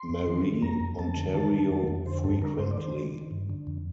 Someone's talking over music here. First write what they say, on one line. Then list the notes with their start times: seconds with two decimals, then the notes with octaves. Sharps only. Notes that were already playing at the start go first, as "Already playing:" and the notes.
Marie, Ontario frequently.
Already playing: C6
0.09 F2
0.27 D#3
0.44 D#3
0.62 F2 A#5
0.80 F2
0.99 F2 A5
1.16 D3
1.34 D#3 A5
1.53 D#3
1.70 F2
1.88 F2
2.06 D3 C5
2.24 G2 A4
2.42 D3 A#4
2.59 G2 C5
2.71 D5
2.78 D#3 C5
2.96 D#3
3.14 D#3
3.31 G2
3.49 D3
3.67 F2